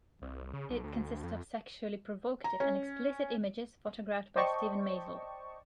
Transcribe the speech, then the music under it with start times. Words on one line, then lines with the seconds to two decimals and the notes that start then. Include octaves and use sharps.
It consisted of sexually provocative and explicit images, photographed by Steven Meisel.
0.22 C2
0.54 C#3
0.70 B1
0.84 D2
1.23 F2
2.44 A#5
2.60 C#4
4.36 C5 D5 D#5 G5 A5 C#6